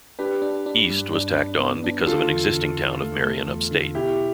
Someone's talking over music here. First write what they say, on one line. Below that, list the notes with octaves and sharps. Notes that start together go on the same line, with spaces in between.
"East" was tacked on because of an existing town of Marion upstate.
D4 G4 B4
D4
D4
G2
D4
D4
B3
D4
D3 F4 A4
E2
D3
D3
A3
A3
E2
D3
B2 E4 G4